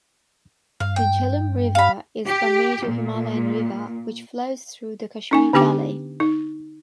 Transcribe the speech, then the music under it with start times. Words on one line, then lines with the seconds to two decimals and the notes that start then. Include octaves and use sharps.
The Jhelum River is the major Himalayan river which flows through the Kashmir valley.
0.80 G2 F5
0.96 G5
1.75 F5 B5
2.26 G4
2.86 A#2
5.31 C#4 D#4 G#5
5.53 D3 B3 D4 G4 G5 D6
6.20 D#4